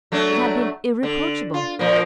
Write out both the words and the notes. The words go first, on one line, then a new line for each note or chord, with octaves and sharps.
It had been irreproachable.
F#3 A3 D4
D3
F4
A#2 F3 A#3